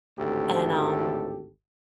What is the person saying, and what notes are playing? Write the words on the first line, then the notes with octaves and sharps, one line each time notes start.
And, um,
G#1 D2 A2 G4 A4